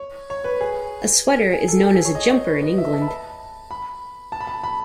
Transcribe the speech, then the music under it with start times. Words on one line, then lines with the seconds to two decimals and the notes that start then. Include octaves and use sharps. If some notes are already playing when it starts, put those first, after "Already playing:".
A sweater is known as a jumper in England.
Already playing: C#5
0.30 C#5
0.44 B4
0.61 G#4
1.53 G#4
1.68 A4
1.85 G#4
1.95 G#4
2.05 C#5
2.15 D#5
2.30 C#5
2.46 B4
2.62 D#5
2.78 E5
2.93 A5
3.02 B5
3.08 A5
3.71 B5
4.32 A5
4.41 B5
4.47 A5
4.64 B5